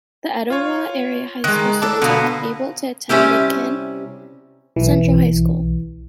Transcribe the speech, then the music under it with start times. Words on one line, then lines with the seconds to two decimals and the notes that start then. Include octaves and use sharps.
The Etowah area high school students are able to attend McMinn Central High School.
0.50 F4 C#5
1.44 D#3 G#3 F#6
1.82 D4 A4 A5
2.02 B2 D3 A#3 B3
3.09 C3 G3 C#4 E4 G4
4.76 B1 E3